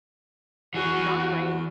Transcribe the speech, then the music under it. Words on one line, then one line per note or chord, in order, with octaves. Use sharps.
not great
E3 F#4 G#4